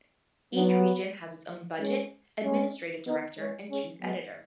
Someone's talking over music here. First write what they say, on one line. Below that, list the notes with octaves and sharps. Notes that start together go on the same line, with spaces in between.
Each region has its own budget, administrative director and chief editor.
F#3 B3
G#3 C#4
G#3 C#4
B3 D#4
G#3 C#4
G#3 C#4
F#3 B3